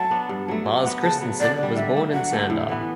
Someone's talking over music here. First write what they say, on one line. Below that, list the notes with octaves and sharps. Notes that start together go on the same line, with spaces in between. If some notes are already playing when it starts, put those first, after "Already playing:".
Lars Christensen was born in Sandar.
Already playing: F#3 A3 A5
B3 D4
G2
F#3 A3
F#3
B3 F#4
C#3 A5
F#3 B3
D3 D5
G3 D4
D3 E5
A3 D4
F#3 F#5
A3 D4 G4
A2
E3 B3